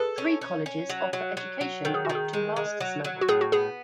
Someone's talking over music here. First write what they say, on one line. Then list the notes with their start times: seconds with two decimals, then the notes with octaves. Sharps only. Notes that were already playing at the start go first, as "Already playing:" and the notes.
Three colleges offer education up to Master's level.
Already playing: G#4 A4 B4
0.18 C#4
0.41 C#4
0.66 C#4
0.89 F#3
1.13 F#3
1.37 F#3
1.61 F#3
1.85 D#3 A4
1.94 G#4
2.05 D#3 F#4
2.15 G#4
2.33 G#3
2.56 G#3
2.80 F#3
3.04 F#3
3.21 F#4
3.28 A2 G#4
3.41 F#4
3.52 B3 G#4